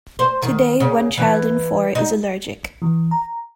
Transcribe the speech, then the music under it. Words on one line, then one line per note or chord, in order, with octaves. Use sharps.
Today one child in four is allergic.
C5
D#3
C#3
E3
D#4
E3
A#5